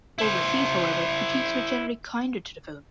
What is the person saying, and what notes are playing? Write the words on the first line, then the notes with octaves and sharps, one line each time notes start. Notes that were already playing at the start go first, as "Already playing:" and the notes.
Overseas, however, critics were generally kinder to the film.
E4 C5